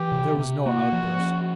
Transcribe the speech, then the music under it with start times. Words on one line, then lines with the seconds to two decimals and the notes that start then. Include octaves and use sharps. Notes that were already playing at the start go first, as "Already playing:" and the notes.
But there was no outburst.
Already playing: E3 G4
0.12 C3
0.39 C3
0.65 A#3 F#4
0.92 F3
1.19 C#4